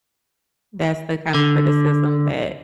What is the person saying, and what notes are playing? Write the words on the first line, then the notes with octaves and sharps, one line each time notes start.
That's the kind of criticism that
D3